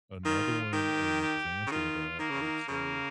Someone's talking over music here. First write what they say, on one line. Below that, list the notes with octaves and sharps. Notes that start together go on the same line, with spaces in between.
another one, an example of that, I would say,
D#3 F4
D#3 G4
G4
C#3
D#3 F4
D#3 A#3
C#3
D#3
C#3 A#3